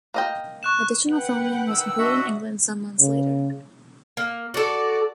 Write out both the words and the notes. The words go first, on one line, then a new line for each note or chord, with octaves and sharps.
Additional filming was completed in England some months later.
A#3 D#5 G5
C#6 F#6 E7
B4 F#5 G5
D#3 E6
D4 F#4 D#5 E5 F#5
C#3
A#3
F#4 A4 D5